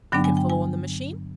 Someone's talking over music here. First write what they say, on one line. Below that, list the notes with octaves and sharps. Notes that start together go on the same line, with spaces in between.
You can follow on the machine?'
G2 D3 F#3 B3 D4 G5
G#5
G5
G#5